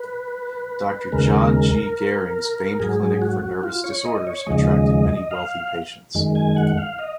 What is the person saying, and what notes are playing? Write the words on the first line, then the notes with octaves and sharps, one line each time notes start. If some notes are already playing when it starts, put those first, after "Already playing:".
Doctor John G. Gehring's famed clinic for nervous disorders attracted many wealthy patients.
Already playing: B4
D#2 C#3 G#3 A#4
G#2 F#3 G#4
F#4
F4
C#5
D#5
C#5
D#2 C#3 F3 G#3 D#5
F5
F#2 D#3 G#3
G#5
F#5
F5
D#5